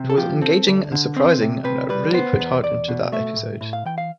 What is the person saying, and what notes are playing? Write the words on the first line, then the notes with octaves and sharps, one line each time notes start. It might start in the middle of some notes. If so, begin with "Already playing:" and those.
It was engaging and surprising and I really put heart into that episode.
Already playing: C3
A4
F3 G4
C4 A4
D2
D3
C4
C3
C3 B4
G3 B4
B3 C5
E2
E2 D5
B2
A3 E5
A2
A2
F5
E3 G5
F5